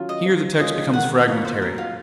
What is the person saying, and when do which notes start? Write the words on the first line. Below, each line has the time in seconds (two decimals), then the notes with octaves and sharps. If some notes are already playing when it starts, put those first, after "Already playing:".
Here the text becomes fragmentary.
Already playing: D#3 F#3 C#4 F4
0.09 D#5
0.26 F3
0.59 G#3 C#4 F4 D#5
0.93 D#3 F#5
1.27 A#3 F4 C#5
1.45 C5
1.61 F#3 A#4
1.78 F4